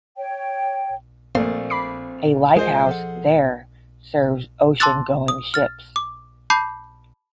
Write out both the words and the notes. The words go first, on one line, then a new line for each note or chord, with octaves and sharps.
A lighthouse there serves oceangoing ships.
C#5 G5
A#1 A3 A#3 C4 C5 D5 F5
B5 D6 C7
G#3 F4 G#4 C5 D#5
F3 A4 F#5
A5 C6 D6 E6 F#6 A6
D#6
F6 A6
D6
A5 B5 D6 G6 C7